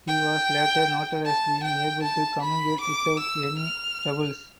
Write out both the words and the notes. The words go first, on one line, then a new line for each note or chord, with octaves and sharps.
He was later noted as being able to communicate without any troubles.
G5
A5
G5
A5
B5
D6
E6
F6